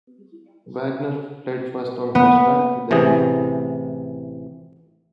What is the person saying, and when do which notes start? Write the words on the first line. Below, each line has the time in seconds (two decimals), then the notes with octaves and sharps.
Wagner fled first on horseback, then on foot.
2.15 B3
2.91 A1 C3 E3 G#4